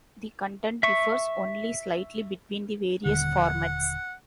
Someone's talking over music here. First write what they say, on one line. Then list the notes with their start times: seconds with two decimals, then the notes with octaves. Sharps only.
The content differs only slightly between the various formats.
0.83 E5 C#6
3.06 D#1 D3 F#5